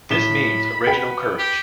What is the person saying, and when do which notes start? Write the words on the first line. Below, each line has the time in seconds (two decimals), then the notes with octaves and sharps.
This means original courage.
0.10 A2 B5 E7 G7
0.87 B4 F#5 G5
1.39 G4